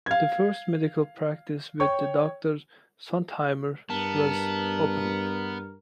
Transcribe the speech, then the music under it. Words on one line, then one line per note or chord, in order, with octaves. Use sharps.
The first medical practice with Doctor Sontheimer was opened.
F5 G#6
C#5 G5 C#6
G2 B3 A#4 A5